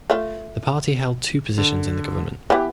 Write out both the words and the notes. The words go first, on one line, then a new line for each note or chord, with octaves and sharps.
The party held two positions in the government.
A3 F4
D3
E3 B3 G4